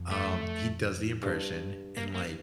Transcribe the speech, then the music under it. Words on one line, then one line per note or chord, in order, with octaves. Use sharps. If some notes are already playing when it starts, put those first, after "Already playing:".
um, he does the impression and, like
Already playing: F2
A3
G2
A#3
A#3